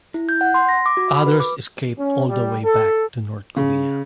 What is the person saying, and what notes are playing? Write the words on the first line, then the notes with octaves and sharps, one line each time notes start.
Others escaped all the way back to North Korea.
E4
G6
F#5
C6
A#6
D6
F#4
B5
B4
D6
C#4
G3
A4
C#3